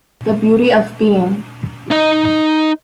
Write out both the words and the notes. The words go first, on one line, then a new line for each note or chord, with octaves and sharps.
The beauty of being.
D#4 D#5